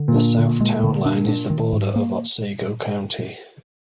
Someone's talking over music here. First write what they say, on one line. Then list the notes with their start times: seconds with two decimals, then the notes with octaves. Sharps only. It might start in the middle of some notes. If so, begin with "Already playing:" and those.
The south town line is the border of Otsego County.
Already playing: D3
0.08 A#2
0.16 D4
0.38 D3
0.61 G#3
0.84 D3
1.06 D4
1.28 D4
1.50 D#3
1.73 G#2
1.96 A#3